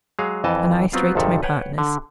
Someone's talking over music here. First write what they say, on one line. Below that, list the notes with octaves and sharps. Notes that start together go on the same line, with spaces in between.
"And I straight to my partner's."
F#3 G#3 G#4 C#5 F5
F2 E3 D#5 A5
F#3 B3 C4 F4
G#1 F2 C3 D#3 A4
B4 C#5 F#5 G5
D3